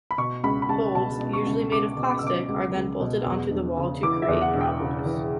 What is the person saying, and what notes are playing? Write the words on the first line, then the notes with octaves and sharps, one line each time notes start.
Holds, usually made of plastic, are then bolted onto the wall to create problems.
B5
B2 C#6
C#2 B5
B5
C#2 A5
B2 A5
B2
C#6
C#2
C#2 D6
B2
D6
E6
B2 D6
C#2
C#2
B2
E2
E1
C#3
E3 D6
E5
E2
F#5
E1
G5
C#3
E3